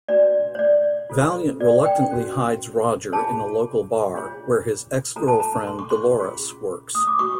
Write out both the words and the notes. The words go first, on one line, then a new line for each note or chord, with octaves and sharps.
Valiant reluctantly hides Roger in a local bar where his ex-girlfriend, Dolores, works.
D4 F#4 B4 D5
C#5
D5
F4 A4 C5
D5
G5
C#4 F#4 B4
F4 G#4 C#5 A5
D4 F4 G#4 C#5
F4 A4 C#5 A#5
A5
A#5
C6
C#6
C6
C#4 F4 G#4
D#6
D6
F#4 B4 C#6